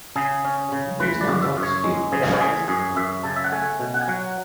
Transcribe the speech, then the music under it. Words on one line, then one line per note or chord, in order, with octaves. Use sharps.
He was knocked off his feet, but otherwise unharmed.
C#3 G#4
C#4
C#3
E3 B4
D5
F#2
E5
F#2
C#5
G#3
C#3 G#4
E3 G#4
F#2 G#4
F#2 E5
C#3 A5
E5
F#5
A3 G#5
B2
F#5
G#5
F#3 F#5